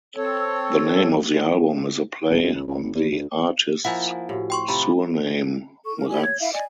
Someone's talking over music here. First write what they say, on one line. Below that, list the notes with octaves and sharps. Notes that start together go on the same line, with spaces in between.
The name of the album is a play on the artist's surname, "Mraz".
C4 A4 C#5
D#1
F#2
C#2
C#2
G#1
E2
D2
F3 A#3 E4 F#5 G#5
A2 F#4 G4
G5 C6 C#6
C3 F3 A#5 B5
A4 C#6
A#4
E4 G4 D5 G#5
C#5 G#6
E4 E5 F5
D5 D#5 G#5